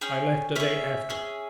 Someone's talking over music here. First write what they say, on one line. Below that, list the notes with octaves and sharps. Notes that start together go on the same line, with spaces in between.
I left a day after.
C#4 G#4 G5
C#4 G#4 E5
C#4 G#4